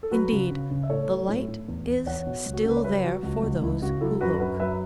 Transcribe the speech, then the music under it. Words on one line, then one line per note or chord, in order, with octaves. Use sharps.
Indeed, the light is still there for those who look.
A4
F#3 F#4 B4
C#3
C#3
C#3
E5
A2 A4 C#5
F#3
A2
A2
E2
E2
E2 C#5 F#5
B2
C#2
F#4
A4
C#3 B4
C#5
F#3 B4 E5
F#3 F#4
C#2 F#4
C#2
C#2 E4
C#3 F#4
F#3 E4 A4
F#2 F#4 B4
A4
F#2 F#4 B4
F#3 B4 E5